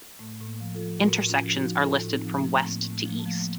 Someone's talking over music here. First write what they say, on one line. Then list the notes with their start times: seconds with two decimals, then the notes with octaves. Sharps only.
Intersections are listed from west to east.
0.19 A2 A3
0.41 A2
0.47 A#3
0.60 F3
0.75 F4 A4
0.81 F3
1.01 A2 F#4 A#4
1.22 A2
1.28 C#4 F4
1.42 F3
1.55 D#4 F#4
1.63 F3
1.83 A2 F4 A4
2.04 A2
2.10 C4 D#4
2.24 F3
2.37 A3 C4
2.44 F3
2.65 A2 A#3
2.85 A2
2.92 A3
3.06 F3 A#3
3.19 A3
3.26 F3
3.40 A#3